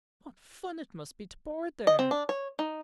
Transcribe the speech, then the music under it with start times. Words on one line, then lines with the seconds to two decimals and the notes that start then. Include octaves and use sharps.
"What fun it must be to board there!"
1.87 D#5
1.99 C4
2.11 D4
2.29 C#5
2.59 D#4